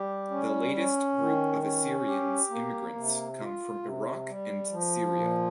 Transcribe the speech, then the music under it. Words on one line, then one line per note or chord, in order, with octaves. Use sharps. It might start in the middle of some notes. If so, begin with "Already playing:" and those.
The latest group of Assyrians immigrants come from Iraq and Syria.
Already playing: G3 G4
C#4
C#4
D#3
C#4
G4
A#3
C3
F4
C3
G3
F3
A#2